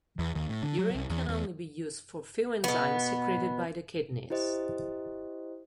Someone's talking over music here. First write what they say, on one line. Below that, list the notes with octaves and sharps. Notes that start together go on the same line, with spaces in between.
Urine can only be used for few enzymes secreted by the kidneys.
E2
D#2
A2
D3
F#3
C2
E2
E2
B2 B3
E4 G4 C5 D#5